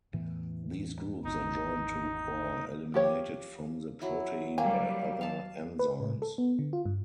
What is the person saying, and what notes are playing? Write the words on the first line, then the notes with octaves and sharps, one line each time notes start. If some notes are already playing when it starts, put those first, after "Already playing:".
These groups are joined to or eliminated from the protein by other enzymes.
E2 A2 E3
G#1 E2 D#4
F3 G4 C#5
F#3 E4
F#3 G3 A#3 G#5
F5 A5
B4
A2
A4
B3
D3
F4
G2